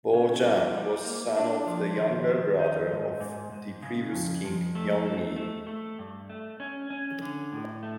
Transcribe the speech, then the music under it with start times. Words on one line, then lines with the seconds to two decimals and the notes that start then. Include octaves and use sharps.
Bojang was son of the younger brother of the previous king Yeongnyu.
0.13 C#3
0.43 G3
0.74 G3
1.05 A#3
1.36 D4
1.67 F3
1.98 D#3
2.28 D#3
2.59 D#4
2.91 G#2
3.20 G#2
3.52 G#2
3.82 C#3
4.13 F2
4.44 F2
4.75 A3
5.06 A3
5.36 A3
5.67 A3
5.99 G2
6.29 A3
6.60 C#4
6.90 C#4
7.22 D3
7.53 A2
7.83 A3